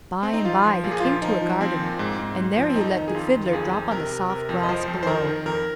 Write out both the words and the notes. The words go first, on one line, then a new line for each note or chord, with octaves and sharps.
By-and-by he came to a garden, and there he let the Fiddler drop on the soft grass below.
C4
D#4
F3 F4
F3
A#2 F4
G#4
F3 F4
F3 D#4
F3
F3 C4
A#2
G#2
G#2
G#2
F3
C4
F2 D#4
D#3
G#4
F2 F4
D#3
F4
F2 G#4
F2
C3 A#4
C3
C3 A#4
F2
D#5
F3 C5
F2
C5
D#3 A#4
D#3
F2 A#4